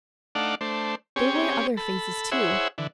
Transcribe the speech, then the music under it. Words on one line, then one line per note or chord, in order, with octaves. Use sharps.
There were other phases, too.
A3 D4 D#4 D5 F5 F#5
A3 D4 C5
C4 C#4 G4 G#4 C#5
A4 B5
E4 G#4 C5 C#5 E5 F#5
D3 E3